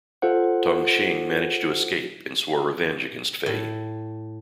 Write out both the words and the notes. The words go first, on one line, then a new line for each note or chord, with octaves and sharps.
Tung Shing managed to escape and swore revenge against Fei.
F4 A4 C5 F#5
A2